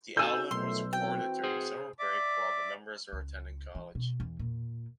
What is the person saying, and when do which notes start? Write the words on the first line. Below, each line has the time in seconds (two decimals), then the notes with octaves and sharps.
The album was recorded during summer break while the members were attending college.
0.17 C4 D#4 F#4 A4 G#5 A5 E6 G6
0.51 B1 D#3 F3 A3 C6
0.93 E3 C4 F#4 G5
1.44 G#4 C5
1.98 D5 E5 D6
3.13 C#2
3.75 E3
3.95 B2
4.20 E2
4.39 A#2